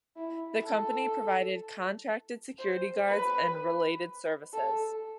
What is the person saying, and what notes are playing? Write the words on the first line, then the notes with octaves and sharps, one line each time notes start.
The company provided contracted security guards and related services.
E4
A4
C5
B4
A4